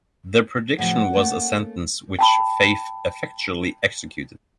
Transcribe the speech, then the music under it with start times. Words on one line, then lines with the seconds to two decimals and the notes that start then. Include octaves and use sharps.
The prediction was a sentence which faith effectually executed.
0.79 A2 C3 F3 F#5
1.13 A3 A#3 C#4
2.19 G5 A5 B5